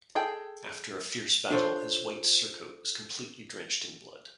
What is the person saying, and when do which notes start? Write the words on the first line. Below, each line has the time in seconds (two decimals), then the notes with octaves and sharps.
After a fierce battle, his white surcoat was completely drenched in blood.
0.15 G#4 A4 G5
1.51 D4 F4 A4 C5 C#5